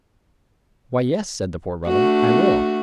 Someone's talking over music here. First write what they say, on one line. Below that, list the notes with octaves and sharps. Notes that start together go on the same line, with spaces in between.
"Why, yes," said the Poor Brother, "I will."
A3 D4 F#4